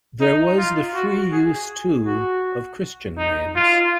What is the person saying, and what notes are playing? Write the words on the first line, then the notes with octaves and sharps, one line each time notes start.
There was the free use, too, of Christian names.
D#4
F4
F#4
G#4
F#4
D#4
F4